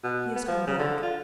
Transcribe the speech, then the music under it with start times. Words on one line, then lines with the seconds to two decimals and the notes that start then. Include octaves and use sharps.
"He has come back."
0.04 B2
0.36 B3
0.48 F3
0.67 C#3
0.79 D3
1.03 F4